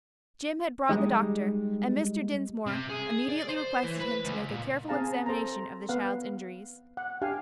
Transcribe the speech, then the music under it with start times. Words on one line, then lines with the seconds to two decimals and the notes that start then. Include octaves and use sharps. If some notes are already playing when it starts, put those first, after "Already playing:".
Jim had brought the doctor, and Mr. Dinsmore immediately requested him to make a careful examination of the child's injuries.
0.89 G3 G#3 D#4
2.67 C3
2.90 G#4
3.28 D5
3.49 C5
3.83 E3
4.00 B4
4.24 C#2
4.49 A#2
4.88 C4 G#4 F5 A5 A#5
5.26 A4 C5 A5 A#5
5.89 B3 B4 F5 F#5
6.97 F#5
7.21 D4 G4 F5 G#5